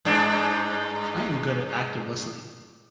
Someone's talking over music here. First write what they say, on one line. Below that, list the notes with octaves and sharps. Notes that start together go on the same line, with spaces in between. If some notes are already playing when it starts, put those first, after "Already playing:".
I am good at active listening.
G2 G#3 D4